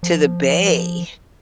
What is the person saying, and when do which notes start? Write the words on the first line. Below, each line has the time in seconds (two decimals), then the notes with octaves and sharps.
to the bay.
0.03 F3